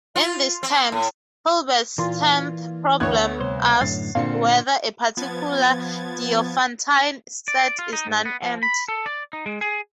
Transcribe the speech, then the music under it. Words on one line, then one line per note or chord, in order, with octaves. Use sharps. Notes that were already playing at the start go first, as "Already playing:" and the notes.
In these terms, Hilbert's tenth problem asks whether a particular Diophantine set is non-empty.
F4
C4
A2
A#2 E3 F4
D2 B3 C#5 F#6 G#6
C2 C5
F#2 A2 D3 A6 C7
A#2 D3 C4 F5 C#7
F3 B3 G#6 A6
D5
F4
D#4
G#2
B3
F3
B5
A4
D5
D#4
G#3
G#4